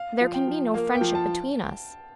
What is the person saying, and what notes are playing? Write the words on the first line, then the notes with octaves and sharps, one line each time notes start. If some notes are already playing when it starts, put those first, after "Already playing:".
There can be no friendship between us.
Already playing: F5
F3
G5
F3
A#3 F5
G5
F3
A5